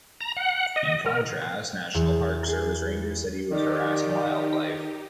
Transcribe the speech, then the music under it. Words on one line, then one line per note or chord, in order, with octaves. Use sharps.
In contrast, National Park Service Rangers said he was harassing wildlife.
A#5
F#5
D#5
A#4
C7
E2
G#4
D#3 D#4 G4 D5